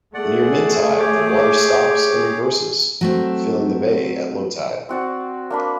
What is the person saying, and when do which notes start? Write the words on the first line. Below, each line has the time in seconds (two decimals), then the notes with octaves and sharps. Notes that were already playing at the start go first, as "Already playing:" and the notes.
Near mid-tide the water stops and reverses, filling the Bay at low tide.
0.14 A3 G#4 D5 F#5
0.98 G4 C#5 D6
3.01 F#3 A3 C4
4.89 C4 F#4 D5
5.50 A#3 D4 B5